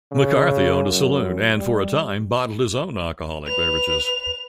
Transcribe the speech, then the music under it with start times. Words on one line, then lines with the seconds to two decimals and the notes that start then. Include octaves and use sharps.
McCarthy owned a saloon and for a time bottled his own alcoholic beverages.
0.12 C#3
0.86 F#2
1.56 G3
3.46 B4 F7